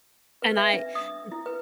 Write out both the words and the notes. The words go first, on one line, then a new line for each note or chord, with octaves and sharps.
And I n
B4
E5
D4
D#6
E4
B4